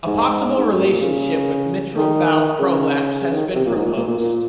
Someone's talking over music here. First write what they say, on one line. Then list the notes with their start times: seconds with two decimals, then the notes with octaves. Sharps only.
A possible relationship with mitral valve prolapse has been proposed.
0.06 G#2
0.57 G#2
0.70 F#2
0.85 A#2
1.01 C#3
1.97 D#3
2.60 C#3
3.22 C#3
3.34 D#3
3.55 C3
3.65 A#2
3.76 G#2
3.86 A#2
3.97 A#2
4.07 A#2
4.18 A#2